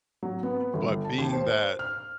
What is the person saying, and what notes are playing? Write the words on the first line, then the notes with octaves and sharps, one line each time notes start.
but being that
F#3
B3
G1
A5
D#2
C5
F6